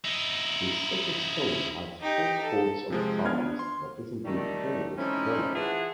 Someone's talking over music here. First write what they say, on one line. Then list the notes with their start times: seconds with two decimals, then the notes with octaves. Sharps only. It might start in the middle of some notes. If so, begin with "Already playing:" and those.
The second story has four coats of arms representing various donors.
0.04 D#4 E4
2.01 D#4 G4
2.42 A4
2.90 C3 F3 G#3
3.25 B3 D4 F6 G#6
3.59 C6
4.25 D#3 G3 A3
4.97 F3 A3 C4 C#4 D#4 E4
5.55 E3 F4 G#4 E5 F#5 A5